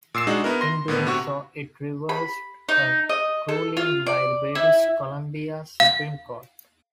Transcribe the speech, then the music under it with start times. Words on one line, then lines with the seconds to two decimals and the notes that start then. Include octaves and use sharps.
In doing so, it reversed a ruling by the British Columbia Supreme Court.
0.14 A#2 E6 C7 E7
0.27 G#3 D4 D#4 F#4
0.44 B3 E4 A#4
0.61 C6 A#6
0.88 A2 D3 B3
1.07 C3 F#4 C#6
2.09 B5
2.69 D#4
3.09 D#5
3.49 A4
3.77 F4
4.06 D5
4.55 E4
5.80 F5